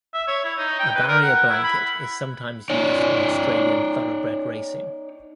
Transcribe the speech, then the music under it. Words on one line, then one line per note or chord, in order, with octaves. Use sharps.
A "barrier blanket" is sometimes used in Australian Thoroughbred racing.
E5
C#5
E4
D#4
G5
B4
A#4
F#5
E4
B5
D#4 C#5 D5